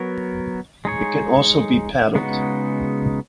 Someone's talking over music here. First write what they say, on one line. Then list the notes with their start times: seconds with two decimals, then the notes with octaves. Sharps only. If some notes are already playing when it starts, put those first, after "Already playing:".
It can also be paddled.
Already playing: F#3 B3 F#4 A#4
0.85 G#3 D#4 G#4 C#5
2.15 C#3 G#3 B3 D#4 F#4